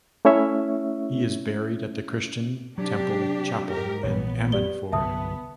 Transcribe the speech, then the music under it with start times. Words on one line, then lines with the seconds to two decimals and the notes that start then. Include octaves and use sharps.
He is buried at the Christian Temple chapel in Ammanford.
0.25 A3 C#4 E4 C#5 E5
2.78 C3 F#3 D4 G4
3.69 G#2 G4 A#4
4.03 A#1 E3 B3 C#5
4.52 G4 D5 G7
4.92 G1 C2 F#3 B3 E5 A5 D#6